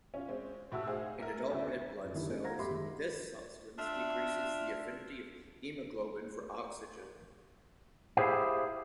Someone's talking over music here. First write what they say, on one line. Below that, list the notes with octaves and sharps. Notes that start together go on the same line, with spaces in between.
In adult red blood cells, this substance decreases the affinity of hemoglobin for oxygen.
C#4 F4
G#3 C4 C#4
A2 E4 F#4 G4 A5 E6
D#4 G#4 C5 F5 F#5
A#4 E5 A#5
D2 C#3 E4 E5
F#2
D#3 D4 E4 G4
G#3 A3 B3 C#4 G4
F5 F#5 A#5 G#6 A#6
F#2 G4 E5 B5 C6 D6
D#3 G#3
D4 F4 E5
E4 G4 G#4 C5 F5